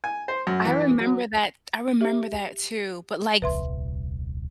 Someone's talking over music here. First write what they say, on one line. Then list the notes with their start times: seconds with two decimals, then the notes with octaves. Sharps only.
I remember that t I remember that, too, but, like, v
0.04 G#5
0.28 C5
0.47 F#2
0.65 E3
1.00 F#3
2.01 G4 E5
3.42 D#1 C2 B4 E5 C6